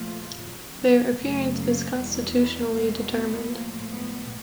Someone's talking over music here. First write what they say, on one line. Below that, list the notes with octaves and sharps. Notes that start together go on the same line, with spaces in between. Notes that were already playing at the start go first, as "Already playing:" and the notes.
Their appearance is constitutionally determined.
Already playing: A#2 F3 A3 F4
D#2 C#3 F#3
B3
F#2 C#3 F#3 A3 B3
A#3
E2 B2 G3
B3
E2 B2 G#3 A#3
B3
A2 F3 G#3 A#3
B3